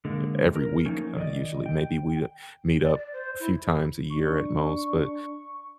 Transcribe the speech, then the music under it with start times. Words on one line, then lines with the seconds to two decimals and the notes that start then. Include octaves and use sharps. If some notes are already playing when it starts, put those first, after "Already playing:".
uh, every week, uh, usually. Maybe we, uh, meet up few times a year at most, but
0.05 D3 G#3 A#3
0.56 A#4
0.85 F3 A3 A#3 C#4 D#4
1.16 D#3 D5 D#5
1.66 G5
2.82 D5
2.97 D5
3.13 C5
3.40 E4
4.10 D4 C#6